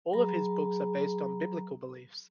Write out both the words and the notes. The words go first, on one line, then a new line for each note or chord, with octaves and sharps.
All of his books are based on biblical beliefs.
F#3 G#4 A#5 B5